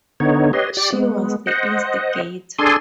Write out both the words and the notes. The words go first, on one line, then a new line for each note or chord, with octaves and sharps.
She was the instigator.
D3 B3 D#4 C#5
G4 B4 C#5 D#5 C6
G4 D5
G#3 B3
C5 D#5 F#5
D4 G#4 A4 D5 G#5 C6